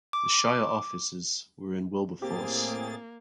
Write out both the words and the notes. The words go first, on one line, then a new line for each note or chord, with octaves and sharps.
The shire offices were in Wilberforce.
D6
A2 A#3 C4 G4 G#4 A6